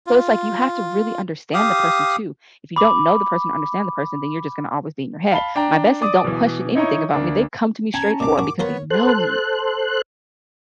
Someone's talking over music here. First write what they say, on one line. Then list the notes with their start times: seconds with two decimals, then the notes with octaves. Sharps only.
So it's like you have to really understand the person too. If you don't know the person or understand the person, then you're just gonna always be in your head. My besties don't question anything about me. They come to me straightforward because they know me.
0.06 F4
1.54 G4 F5 D#6
2.76 B5 D6
5.31 F5 A5 B5 G7
5.56 D4 G5 A#5
6.02 D5 D6 D#6
6.24 B2 E3
6.75 D#4 E4 C#5 D#5 A#5 C#6
7.13 D2 A#3 D4
7.94 C#4 G5 A5 A#5 G#6
8.20 C2 A#2 D6
8.38 F#2 F#4
8.59 F3 B3 A#4 C5 C#5
8.90 A4 C5 F#6